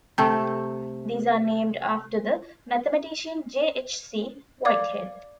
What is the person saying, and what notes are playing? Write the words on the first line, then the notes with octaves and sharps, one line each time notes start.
These are named after the mathematician J. H. C. Whitehead.
C3 A3
D5 F5 D6 G#6